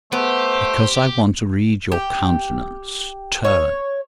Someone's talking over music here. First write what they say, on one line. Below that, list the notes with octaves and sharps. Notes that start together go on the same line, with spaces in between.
"Because I want to read your countenance--turn!"
A3 B3 G4 C5
G4
C#5